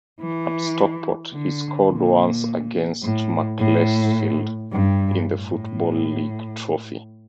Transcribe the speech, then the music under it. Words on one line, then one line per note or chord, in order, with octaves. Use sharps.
At Stockport he scored once against Macclesfield in the Football League Trophy.
E3
D3
A#2
A2
A2
G2
A2